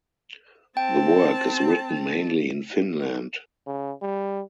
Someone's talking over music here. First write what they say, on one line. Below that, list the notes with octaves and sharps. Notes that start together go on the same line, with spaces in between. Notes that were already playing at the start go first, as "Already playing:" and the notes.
The work is written mainly in Finland.
C4 G5 A5
C#3
G3